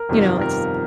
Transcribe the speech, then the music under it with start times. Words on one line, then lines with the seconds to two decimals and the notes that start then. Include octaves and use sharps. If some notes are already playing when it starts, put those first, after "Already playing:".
You know, it's
Already playing: A#4
0.09 G1 F2 C3 D#3 G3
0.41 A#4